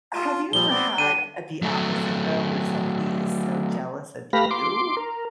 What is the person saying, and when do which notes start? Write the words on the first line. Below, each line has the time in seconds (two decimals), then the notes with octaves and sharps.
Have you ever had, uh, the opposite, though, where somebody is so jealous of you?
0.14 F4
0.53 A#2 F3 G3 G7
0.70 B3 C4 D5
0.98 D3 D4 D#7
1.62 F#3 A3
4.33 A3 G4 B4 F5 B5 A#6
4.51 C6 D6
4.97 A#4